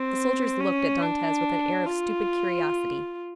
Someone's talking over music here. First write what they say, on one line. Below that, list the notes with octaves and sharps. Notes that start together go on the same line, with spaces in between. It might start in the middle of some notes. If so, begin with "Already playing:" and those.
The soldiers looked at Dantes with an air of stupid curiosity.
Already playing: C4
C#4
D4
F4